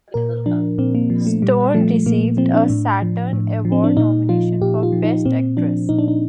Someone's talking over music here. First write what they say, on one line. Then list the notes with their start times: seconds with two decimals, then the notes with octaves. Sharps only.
Stone received a Saturn Award nomination for Best Actress.
0.14 A#2 A#4
0.46 F3 D4
0.78 A#2 C4
0.95 A#3
1.10 F3
1.27 A3
1.42 A#2 G3
1.74 F3 A3
2.06 A#2 A#3
2.37 F3 C4
2.54 D4
2.69 A2
3.02 F3
3.33 A2
3.65 F3
3.72 C4
3.84 D4
3.97 A#2 D#4
4.29 F3 F4
4.61 A#2 G4
4.83 F4
4.92 F3
5.04 D#4
5.25 A#2 C4
5.57 F3 D4
5.89 A#2 D#4
5.99 D4
6.08 D#4